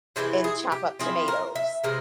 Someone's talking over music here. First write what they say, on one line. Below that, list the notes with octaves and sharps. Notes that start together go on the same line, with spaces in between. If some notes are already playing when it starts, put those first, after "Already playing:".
and chop up tomatoes,
C3 E3 G#3 E4 G4
G#4
G4
F3 C4 E4 G#4
A#4
E5
C3 E3 G#3 A#4